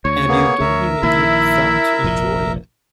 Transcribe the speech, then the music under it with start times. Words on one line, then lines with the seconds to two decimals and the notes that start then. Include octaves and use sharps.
And you don't even need a thong to enjoy it.
0.05 D2 C#5
0.28 A#3 B3 G#4
0.60 D2 A#4 E5
1.03 A#1 D#3 A#3 E4
2.04 F1 A#1 A#2